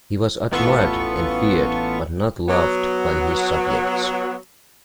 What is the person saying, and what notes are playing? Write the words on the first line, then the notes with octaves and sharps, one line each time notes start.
He was admired and feared but not loved by his subjects.
A1 E3 B3 F4 A4 C#6
F#3 B3